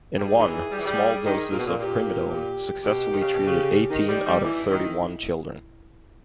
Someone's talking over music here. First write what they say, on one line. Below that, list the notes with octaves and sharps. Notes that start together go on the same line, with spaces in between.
In one, small doses of primidone successfully treated eighteen out of thirty-one children.
G3 G#4
D#3
E3
G3
E3
G3
D#3
A#2
B2
A#2
A#2 G4
G4
B2 G4
D#3
C#3
B2
C#3
D#3 D#4
G3
G3
E3 E4
D#3